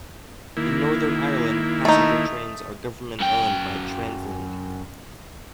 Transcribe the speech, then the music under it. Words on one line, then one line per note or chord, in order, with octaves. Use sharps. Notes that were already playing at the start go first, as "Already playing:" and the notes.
In Northern Ireland passenger trains are government-owned by Translink.
D#3 A#3 E4
A3 D#4
F#2 G5